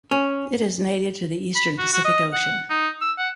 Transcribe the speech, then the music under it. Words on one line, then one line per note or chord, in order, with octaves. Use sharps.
It is native to the eastern Pacific Ocean.
C#4
B5
F#4
F#4
D#5
F#5
D#4
E6
F#5